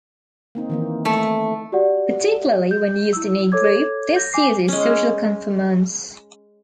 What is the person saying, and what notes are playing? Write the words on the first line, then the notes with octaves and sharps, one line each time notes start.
Particularly when used in a group, this uses social conformance.
A#3 C4 D#4
D#3 E3 A#3
A3
F#4 G4 D5 F#5
G6
E4 E6
A4 C#5 D6 G#6
G6 A#6
G#5 D6 C7
G#3 C#4